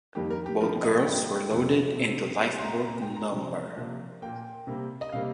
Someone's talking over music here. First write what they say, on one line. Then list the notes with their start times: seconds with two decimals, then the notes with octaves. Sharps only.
Both girls were loaded into lifeboat no.
0.15 F2 D#3 G3 A#3 G4
0.30 A#4
0.46 G4
0.60 G2 F3 C4 A#4
0.83 D#5
1.06 G2 G3 A#3 G5
1.51 F2 C3 G3
1.97 C3 F3 C4
2.42 C3 G3 C4
2.59 C6
2.64 A#5
2.86 A#2 A#3 A#5
3.02 G5
3.16 A#5
3.32 C3 F3 C4
3.77 C3 F3 A#3
4.22 A#2 A#3 G5
4.67 C3 G3 A#3
5.01 D#5
5.12 C3 G3 A#3 F5